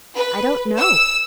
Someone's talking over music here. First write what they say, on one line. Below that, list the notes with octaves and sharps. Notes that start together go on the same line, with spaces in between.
"I don't know."
B4
E6